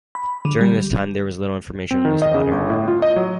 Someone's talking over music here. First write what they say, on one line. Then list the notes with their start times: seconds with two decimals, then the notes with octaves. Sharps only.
During this time there was little information released about her.
0.15 B5
0.45 D3
0.61 G3
1.91 C4
2.05 D#3
2.22 D#5
2.34 C#3
2.51 G1
2.70 A2
2.88 F4
3.02 D#5
3.16 F#3